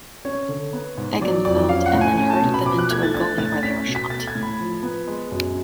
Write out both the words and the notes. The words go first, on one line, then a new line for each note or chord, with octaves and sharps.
Eggenfeld and then herded them into a gully, where they were shot.
C#4 C#5
D3
B3
G#2
F#3 D5
F2 D5
C#4 F5
F#5
A2
G#5
C#4 G#5
A5
B2
B5
F3 D6
F#6
A3 G#6
A6
D4 A6
A2 A6
C#4 B6
B2
B6
A3 A6
G#6
A2
B5
F3
B3
G#3
F#2